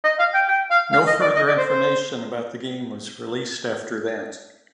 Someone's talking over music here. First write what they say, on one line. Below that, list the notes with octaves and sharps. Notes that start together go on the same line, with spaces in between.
No further information about the game was released after that.
D#5
F5
G5
G5
F5
F5
D#5
D5
D#5
D5
C5
C5